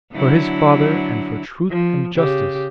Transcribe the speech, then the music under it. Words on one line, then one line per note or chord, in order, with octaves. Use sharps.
For his father and for truth and justice.
D3 F#3 E4
F3
C#3 G4